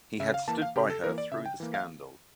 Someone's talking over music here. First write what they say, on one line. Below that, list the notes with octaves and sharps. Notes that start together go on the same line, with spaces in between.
He had stood by her through the scandal.
C#3 E5
F5
E3 A#3 A5
F5
C#3 G4
A4
E3 A#3 A#4
D5
C#3 E5
G5
E3 A#3
F5